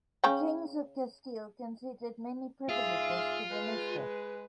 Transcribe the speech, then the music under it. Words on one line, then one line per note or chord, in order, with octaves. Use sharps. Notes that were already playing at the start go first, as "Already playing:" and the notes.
The kings of Castile conceded many privileges to the Mesta.
C#3 C#4 G5
G#2 F4 G#4 E5
G#3 B4